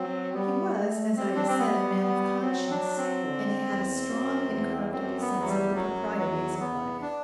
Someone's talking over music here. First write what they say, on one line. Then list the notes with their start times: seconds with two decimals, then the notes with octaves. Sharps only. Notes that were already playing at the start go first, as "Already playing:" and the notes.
He was, as I have said, a man of conscience, and he had a strong, incorruptible sense of the proprieties of life.
Already playing: F#3 C4
0.34 G3 B3
0.75 A3
1.17 G3 C4
1.36 D4
1.48 C4
1.59 B3
2.00 B3
2.42 F#3 C4
2.71 D4
2.98 C4
3.26 D3
3.68 E2
4.09 F#2
4.51 E2
4.92 F#2 C4
5.20 B3
5.34 E2
5.41 F#3
5.48 G3
5.76 F#2 F#3
6.17 E2 F#3
6.60 E2 B3
7.01 D4